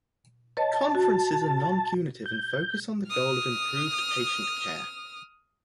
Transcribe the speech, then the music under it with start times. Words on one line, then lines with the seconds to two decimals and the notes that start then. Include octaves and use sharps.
Conferences are non-punitive and focus on the goal of improved patient care.
0.57 B4 C#5 D#5 A5
0.95 F#4
2.26 G6
3.08 D#6 F6